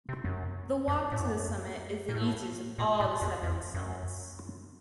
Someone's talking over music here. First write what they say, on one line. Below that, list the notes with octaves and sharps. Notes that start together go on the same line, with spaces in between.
The walk to the summit is the easiest of all the Seven Summits.
C3
F#2
F#2
A2
F#2
A#2
A2
A#2
A2
F#2
F2
F#2